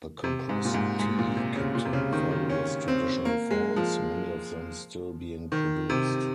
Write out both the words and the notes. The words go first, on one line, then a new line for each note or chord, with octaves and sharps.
The compressed tea can take various traditional forms, many of them still being produced.
C3
G#2
A#2
G#2
G#2
A#2
C3
C#3
A#2
C3
C#3
D#3
D#3
C#4
C4
A#3
G#3
F3
D#3
C3